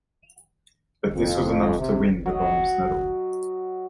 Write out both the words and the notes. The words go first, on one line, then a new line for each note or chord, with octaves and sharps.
But this was enough to win the bronze medal.
F2
C3
F#3 D#5